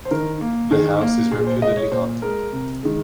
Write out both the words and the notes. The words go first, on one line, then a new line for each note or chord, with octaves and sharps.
The house is reputedly haunted.
C5
D#3 A#4
A#3
D#3 G#4
A#3
A#2 G#4
C5
G#3 D#5
C#5
A#2 C5
G#3 A#4
C3
D#3 G#3